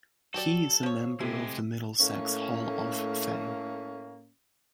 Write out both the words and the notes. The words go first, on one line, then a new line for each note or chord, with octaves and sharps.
He is a member of the Middlesex Hall of Fame.
F#3 F#4 G4 A4 D5
F3 C#5
C3 G#3 A3 E4 G4 B6
A2 A3 A#3 C#4